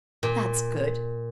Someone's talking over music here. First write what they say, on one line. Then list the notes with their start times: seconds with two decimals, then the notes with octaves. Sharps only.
That's good.
0.23 A#2